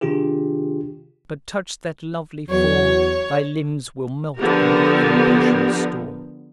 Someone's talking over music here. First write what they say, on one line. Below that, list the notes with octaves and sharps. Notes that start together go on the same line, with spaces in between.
But touch that lovely form Thy limbs will melt beneath thy passions' storm!
C3 D#3 D4 F4 G4 G#4
E2 F#3 C#5
D3 F3 B3 G4 A#4